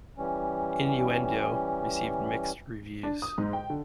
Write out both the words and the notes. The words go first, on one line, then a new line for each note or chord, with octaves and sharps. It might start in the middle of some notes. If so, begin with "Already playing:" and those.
"Innuendo" received mixed reviews.
E3 G3 C#4
D4
D#6
G#2
G5
D3